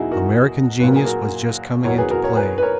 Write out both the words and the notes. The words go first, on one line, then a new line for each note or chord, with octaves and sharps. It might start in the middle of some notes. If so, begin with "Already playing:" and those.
American genius was just coming into play.
Already playing: E2 B2 F#3 D#4 E4 F#4 G#4
F#4 A#4
A#2 F#3 B4
A#4
G#4
F#4 A#4
E2 B2 F#3 A#4 C#5
G#4 B4
F#4 A#4
A#4 C#5
G#4 B4
B4
A#4 C#5